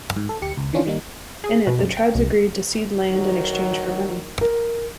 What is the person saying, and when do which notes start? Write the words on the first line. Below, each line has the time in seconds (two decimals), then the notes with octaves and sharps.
In it the tribes agreed to cede land in exchange for money.
0.17 G#2
0.29 A4
0.42 D2 G4 C#7
0.57 C#2
0.73 D#3 E3 C#4 D4 F4
0.85 D#3 G3 A#3 D#4
1.44 G#4
1.67 B2
1.79 F#2
1.97 G5
2.15 C2
3.11 D2 D#3 F#3
4.41 A#4